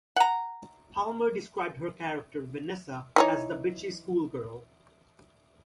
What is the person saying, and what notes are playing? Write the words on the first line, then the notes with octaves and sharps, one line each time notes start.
Palmer described her character, Vanessa, as "the bitchy schoolgirl".
F#5 A#5
E3 D#4 C#5